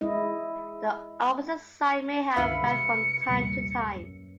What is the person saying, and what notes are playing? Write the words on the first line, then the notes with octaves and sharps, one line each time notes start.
The opposite side may have varied from time to time.
G#3 E4 D#5
C#2 G2 D#3 E4 B4 F5 C#7
C3 G#3 C#7
A#1 D#2 C3 G3
F#2